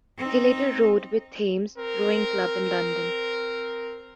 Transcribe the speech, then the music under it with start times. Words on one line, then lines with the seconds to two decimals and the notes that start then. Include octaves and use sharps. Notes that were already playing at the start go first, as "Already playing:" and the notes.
He later rowed with Thames Rowing Club in London.
0.18 C4 D#4
1.76 C4 A#4